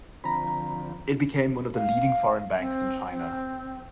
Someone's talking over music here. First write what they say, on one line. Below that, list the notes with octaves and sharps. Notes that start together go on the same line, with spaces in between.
It became one of the leading foreign banks in China.
D3 F3 C4 A#5 B5
F5
C4
C4